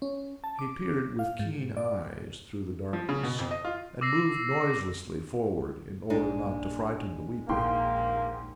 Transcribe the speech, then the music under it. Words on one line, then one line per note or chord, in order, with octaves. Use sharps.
He peered with keen eyes through the darkness and moved noiselessly forward, in order not to frighten the weeper.
C#4
A5
D6
F5
G#2
D5
F3
C#3
B2
F2
D#5
F4
D6 E6 A#6 C7
A#1 A#2 G#3 D4 D#4
A#1 D#2 G#2 A#3 G5 C6